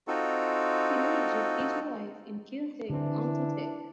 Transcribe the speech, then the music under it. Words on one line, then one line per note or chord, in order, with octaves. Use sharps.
He lives with his wife in Kirchheim unter Teck.
C4 D#4 F4 F#4 A4
D3 E3 C4 D4 E4